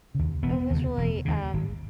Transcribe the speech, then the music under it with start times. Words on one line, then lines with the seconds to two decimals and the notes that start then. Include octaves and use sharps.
it was really, um,
0.15 D#2 C#3
0.43 E1 B3
0.70 D#2 C#3
0.97 E1
1.25 D#2 C#3
1.53 G#1